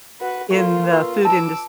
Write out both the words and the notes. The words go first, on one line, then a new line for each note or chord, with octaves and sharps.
in the food indust
F#4 B4
A#3 F4 A4 F5 C#6
B4 C#6 E6
F4 A5 D6 E6